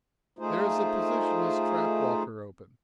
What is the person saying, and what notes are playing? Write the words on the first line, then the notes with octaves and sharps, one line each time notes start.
There is a position as track-walker open.
A3 D#4 F4 G#4 C5